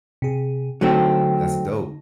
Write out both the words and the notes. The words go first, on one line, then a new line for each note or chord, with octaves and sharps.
That's dope.
C3 G#4
D3 F#3 A3 C4 D#4